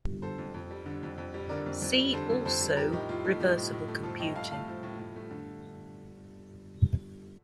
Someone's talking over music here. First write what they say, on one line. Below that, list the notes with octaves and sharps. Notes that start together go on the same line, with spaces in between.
See also reversible computing.
D3 A4 C5
F2
F2
G3
D3
F2
F2
G3
D3 A#4 D5
F2
F2
G3
D3 A4 C5
F2
F2 A4 C5
G3
F3 G4 A#4
A2 D#4 G4
A2 F4
A3 D#4
F3 D#4 G4
A2
A2
A3
F3 F4 A4
A2 D#5 G5
A2 F5 A5
A3 F5 A5
F3
A2
A2
A3
D3